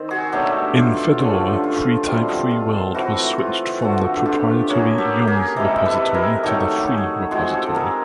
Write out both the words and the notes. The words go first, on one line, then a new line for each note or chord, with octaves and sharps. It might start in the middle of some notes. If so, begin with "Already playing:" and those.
In Fedora, freetype-freeworld was switched from the proprietary yum repository to the free repository.
Already playing: D#3 C4
F#4 G#4
B2 F#3 A3 D4 G4 A4
F4 G4
D3 F3 A3 C#4
F4
B2 G3 C4 F4
F4
E3 A3 C4 F4 F#4
F4
D3 F3 A3 F#4
F4 G4
F#3 A#3 C#4 F#4 G#4
G4 A4
G#4 A#4
C3 E3 G#3 G4 A4
A4 B4
G#4 A#4
D#3 F#3 A3 G4 A4
F#4 G#4
F3 G#3 C4 F#4 G#4
G4 A4
A4
G#4 A#4